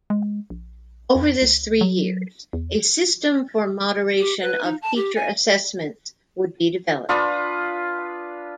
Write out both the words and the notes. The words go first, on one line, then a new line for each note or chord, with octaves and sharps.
Over this three years, a system for moderation of teacher assessments would be developed.
G#3
A#1
F2
C#2
F#3
E2
G4
B4
D#4
A5
G4
G#5
D4 F4 B4 D#6